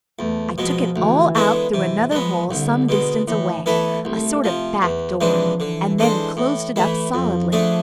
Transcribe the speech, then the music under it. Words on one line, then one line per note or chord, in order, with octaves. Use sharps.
I took it all out through another hole some distance away, a sort of back door, and then closed it up solidly.
E2 A3
B2 F3 G#3
D2 E3
D3 G#3 B3 E4
C3 E3
F3 G#3 B3
C2 D3
B2 G#3
A2 E3
E3 A3 B3 E4 A4
C2 A3
C3 F3
E2
C3 E3 F3 G#3 D4
D3 E3
G#3 D4 A4 C5
A2
E3 A3 E4
F2 F3
D3 A3 D4 G#4